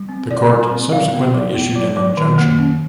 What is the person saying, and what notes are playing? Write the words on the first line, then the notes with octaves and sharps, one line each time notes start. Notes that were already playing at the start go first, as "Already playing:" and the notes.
The court subsequently issued an injunction.
Already playing: G3
C4
G3 D5
G3
C4
F#3 F5
B3
F#3
B3
F#3
F#3
D#3
A#3
C#4